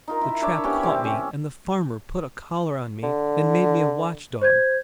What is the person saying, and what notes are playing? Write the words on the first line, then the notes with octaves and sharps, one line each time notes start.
The trap caught me and the Farmer put a collar on me and made me a watchdog.
D#4 F4 A#4
E4 E5
D4 C#5 E5 D6
B3 C#4 G4
C3 G3 C4 D6
C#4
D3
C5 G6 G#6